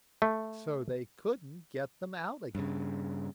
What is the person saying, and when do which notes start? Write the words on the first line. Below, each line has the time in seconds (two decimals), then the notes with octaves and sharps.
So they couldn't get them out again.
0.22 A3
2.55 G2 C#3